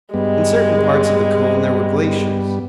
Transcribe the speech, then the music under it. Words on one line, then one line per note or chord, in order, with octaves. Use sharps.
In certain parts of the cone there were glaciers.
G2 G3 G#3 B3